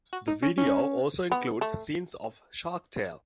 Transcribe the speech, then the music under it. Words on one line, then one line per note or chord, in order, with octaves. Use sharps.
The video also includes scenes of "Shark Tale".
F#4
D#4
C#4
C#4
B3
A3